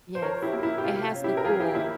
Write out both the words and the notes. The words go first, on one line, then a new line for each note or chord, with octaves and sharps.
Yes, it has to cool.
C5
F3 A#4 C#5
E4 G4
A#3
E4
G4
C3 F4
C#4
E4 G4
A#4
F3 F4 G#4
E4 G4
A#3 E4